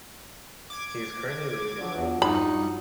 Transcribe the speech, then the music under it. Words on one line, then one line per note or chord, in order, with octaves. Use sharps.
He is currently living in Rome.
D6 G#6
D3 F3 F#3
E2
G2 D#4 B5 C#7